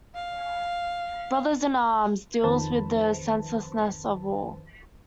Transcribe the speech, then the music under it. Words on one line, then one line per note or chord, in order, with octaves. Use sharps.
"Brothers in Arms" deals with the senselessness of war.
F5
F2 D#3 B4 C5 A5 B5